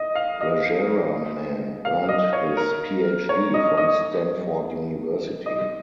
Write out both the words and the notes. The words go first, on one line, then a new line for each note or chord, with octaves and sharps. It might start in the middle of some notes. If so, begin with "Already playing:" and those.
Rajaraman earned his Ph.D. from Stanford University.
Already playing: D#5
F5
D#5
F5
D#5
C#5
A#4
C#5
D#5
D#5
D#5